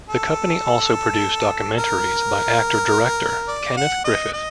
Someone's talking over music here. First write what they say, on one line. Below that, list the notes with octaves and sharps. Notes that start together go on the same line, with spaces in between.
The company also produced documentaries by actor-director Kenneth Griffith.
A4
A#4
D5
F#5
D#5
D#5